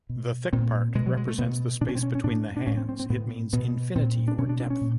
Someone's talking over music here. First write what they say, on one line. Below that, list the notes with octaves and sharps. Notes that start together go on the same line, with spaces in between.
The thick part represents the space between the hands, it means infinity or depth.
B2
A#2 C4
B2 G#3
F#3
G#3
A3
B2 B3
B2 D4
C#4
C4
C#4
C#4
A2 D4
D4
A2 C#4
C4
C4
C4
A2 B3
B2 B3
A#2 C4
D4
B2 C#4
D4
D4
C4
C#4
A#2